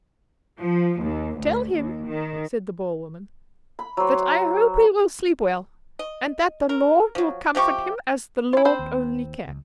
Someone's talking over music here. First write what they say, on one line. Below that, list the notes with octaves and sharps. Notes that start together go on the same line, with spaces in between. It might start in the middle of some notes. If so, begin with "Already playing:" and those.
"Tell him," said the Boer-woman, "that I hope he will sleep well, and that the Lord will comfort him, as the Lord only can."
F3
D#2
D2
D#2
D#3
B5
F#3 C5
D#5
A#4
F3 F#3
C3 F3 G4 C#6
E4 F4
C4 C5 B5
D#2
C#2